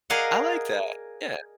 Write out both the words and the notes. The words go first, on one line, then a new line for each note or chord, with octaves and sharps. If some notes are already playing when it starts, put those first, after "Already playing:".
I like that. Yeah.
G#4 A#4 D5 D#5 F5 F#5